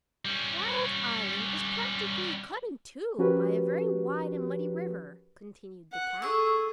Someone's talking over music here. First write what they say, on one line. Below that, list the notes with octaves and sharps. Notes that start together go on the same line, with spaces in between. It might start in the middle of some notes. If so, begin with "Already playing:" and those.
"Wild Island is practically cut in two by a very wide and muddy river," continued the cat.
G3 C#4
F3 C#4 F#4 G4 A#4 B4
F#5
G#4 A4 C#6 E6